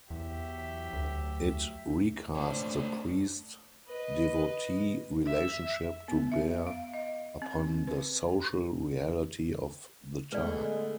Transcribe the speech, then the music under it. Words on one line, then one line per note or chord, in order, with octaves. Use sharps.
It recast the priest-devotee relationship to bear upon the social reality of the time.
E2 F#3 G4 E5
D2
A3 D4 C5 C#5
B4 D#5
E5
B3
E5
F5
D#5
C4
B4
D3 G#3 A3 B3 B4 D5